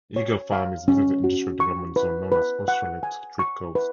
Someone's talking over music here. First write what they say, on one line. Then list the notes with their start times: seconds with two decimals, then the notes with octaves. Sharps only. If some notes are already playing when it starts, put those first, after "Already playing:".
Eagle Farm is within the industrial development zone known as Australia TradeCoast.
0.16 C#5
0.52 F5
0.88 C#4
1.24 F#4
1.60 C#6
1.96 B4
2.32 B4
2.68 F#5
3.03 G#5
3.39 C#6
3.75 B4